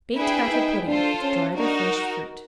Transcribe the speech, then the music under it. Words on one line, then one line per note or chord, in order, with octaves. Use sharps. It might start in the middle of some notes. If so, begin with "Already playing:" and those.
BAKED BATTER PUDDING, with Dried or Fresh Fruit.
D4 E4 G#4 B4 E5 G5
D#4
D4 F4 A4 C5
C#4
D4 D#4 F#4 A#4